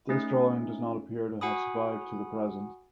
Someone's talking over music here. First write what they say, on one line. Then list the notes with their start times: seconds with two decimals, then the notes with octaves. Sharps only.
This drawing does not appear to have survived to the present.
0.09 A3 C#4 D#4
1.41 F#4 F#5 G#5 B5 D#6